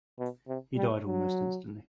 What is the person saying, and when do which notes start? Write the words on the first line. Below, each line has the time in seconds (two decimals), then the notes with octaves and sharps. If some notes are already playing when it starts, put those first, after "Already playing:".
He died almost instantly.
0.19 B2
0.48 C3
0.77 G3
1.06 F#3